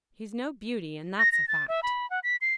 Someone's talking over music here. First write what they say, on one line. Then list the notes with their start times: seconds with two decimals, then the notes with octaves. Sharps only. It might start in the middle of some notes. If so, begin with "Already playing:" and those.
"He's no beauty, and that's a fact."
1.19 A#6
1.32 A#6
1.48 A6
1.68 E5
1.83 B5
2.10 F#5
2.23 B6
2.41 C7